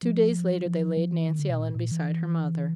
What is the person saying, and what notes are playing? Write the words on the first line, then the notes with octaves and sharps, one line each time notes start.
Two days later they laid Nancy Ellen beside her mother.
F3
F3
F3
E3
D#3
D3
B2
A#2
A#2
E3